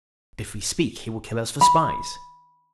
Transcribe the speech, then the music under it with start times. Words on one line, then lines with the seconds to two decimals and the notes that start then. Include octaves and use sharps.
But if we speak, he will kill us for spies.
1.61 B5